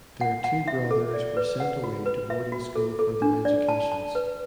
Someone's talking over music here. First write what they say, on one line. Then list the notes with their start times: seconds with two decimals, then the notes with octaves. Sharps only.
Their two brothers were sent away to boarding school for their educations.
0.21 F#5
0.44 F#5
0.68 E5
0.91 A4
1.14 D5
1.37 B4
1.60 F#5
1.84 F#4
2.06 B4
2.30 E5
2.52 F#4
2.76 A4
2.99 A4
3.22 D4
3.45 D5
3.69 A5
3.92 A5
4.15 B4